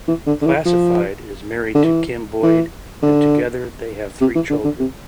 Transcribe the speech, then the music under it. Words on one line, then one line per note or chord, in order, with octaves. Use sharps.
Classified is married to Kim Boyd and together, they have three children.
E3
D3
D3
E3
F3
D3
E3
E3
D3
C3
E3
D3
D3
C3